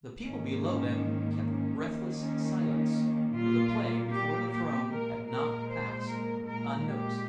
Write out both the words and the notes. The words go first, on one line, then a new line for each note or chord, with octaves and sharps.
The people below them kept breathless silence for the play before the throne had not passed unnoticed.
G#2 D#3 A#3 C#4
C#4
C#4
D#2 D#3 A#3
C#4
C#4
A#2 G3 A#3 F4
G4
G4
A#2 G#3 A#4
A#4
C5
A#4
A#2 G#3 A#4
G4